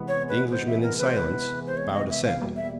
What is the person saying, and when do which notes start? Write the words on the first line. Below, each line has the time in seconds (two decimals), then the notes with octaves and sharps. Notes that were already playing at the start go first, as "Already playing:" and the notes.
The Englishmen, in silence, bowed assent.
Already playing: C3 E3 G#3 B3
0.08 C#5
0.29 B4
0.51 C5
0.67 E5
0.83 A#4
0.99 B4
1.07 C5
1.17 B4
1.67 C5
1.77 C#5
1.93 D#5
2.10 E5
2.25 F5
2.41 E2 B2 G3 A#3
2.56 E5